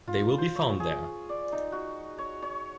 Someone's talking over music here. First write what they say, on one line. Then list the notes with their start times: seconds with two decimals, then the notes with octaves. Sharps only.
They will be found there.
0.07 F4
0.38 C5
0.55 C#5
0.80 G#4
1.29 D5
1.52 D#4
1.72 F#4
2.18 C#5
2.42 C#5